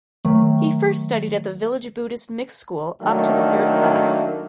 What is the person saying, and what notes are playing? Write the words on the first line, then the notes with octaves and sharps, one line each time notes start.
He first studied at the village Buddhist mixed school up to the third class.
D#3 F#3 A3
D#3 F#3 A3 A#3 D4 E4